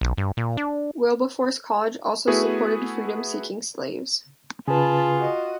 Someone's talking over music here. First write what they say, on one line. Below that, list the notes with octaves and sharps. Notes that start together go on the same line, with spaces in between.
Wilberforce College also supported freedom-seeking slaves.
B1
G2
A#2
D4
A3 B3 E4 F#4 G#4 B4
C#3 F4 G#4 B4 A5 B5
F#4 D#5